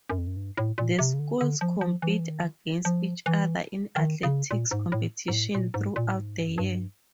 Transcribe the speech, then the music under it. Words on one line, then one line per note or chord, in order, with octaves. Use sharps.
The schools compete against each other in athletic competition throughout the year.
F#2
F2
F#2
G2
A2
A#2
C3
C#3
D3
D3
F3
F3
E3
F3
E3
D#3
F3
E3
D#3
C#3
A#2
G#2
A2
G#2
A2
A#2
G#2
A#2
A2
G#2
F#2
G2